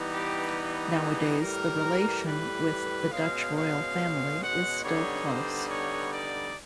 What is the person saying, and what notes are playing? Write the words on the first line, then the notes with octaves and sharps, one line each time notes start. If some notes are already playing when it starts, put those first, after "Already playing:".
Nowadays, the relation with the Dutch Royal Family is still close.
Already playing: E3 G3 B3 D#4
G4
G#4
A2 E3 G3 A#4
B4
B2 G#3 C#4 F5
F5
F#5
D3 G3 B3 D#4 C#5
C5
C#5
D5